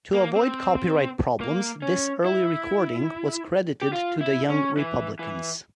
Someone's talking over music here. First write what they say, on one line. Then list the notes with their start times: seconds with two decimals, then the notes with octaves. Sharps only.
To avoid copyright problems, this early recording was credited to "The Young Republicans".
0.14 A#3
0.36 C4
1.41 A#3
1.82 C#4
2.25 E4
3.82 G4
3.93 F4
4.21 E4
4.50 C#4
4.77 E3
5.19 E3